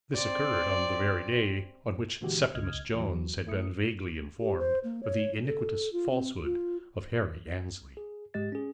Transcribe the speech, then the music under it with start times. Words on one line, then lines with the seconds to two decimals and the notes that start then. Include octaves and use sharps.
This occurred on the very day on which Septimus Jones had been vaguely informed of the iniquitous falsehood of Harry Annesley.
0.15 C4 D5
2.21 A#2 D3 E3 G#3 F#4 G4
2.55 C#2 D#5 F6 G#6
2.94 E2 E3 F#3
3.47 A3 E4 D#6 C#7
4.40 G4
4.59 C5
4.84 A#3
5.03 C#5
5.45 A4
5.93 F4
6.11 C4
6.43 F4
7.97 G#4
8.34 G#2 G#3 G4 D#5 A6
8.52 C#4 G#4